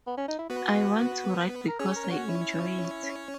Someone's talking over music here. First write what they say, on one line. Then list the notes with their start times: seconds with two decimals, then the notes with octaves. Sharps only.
I want to write because I enjoy it.
0.07 B3
0.18 C#4
0.28 D#4
0.39 E4
0.50 B3 F#4 B4
1.68 A#4
1.79 C#4 G#4 C#5
1.96 A#4
2.11 F#4
2.28 E4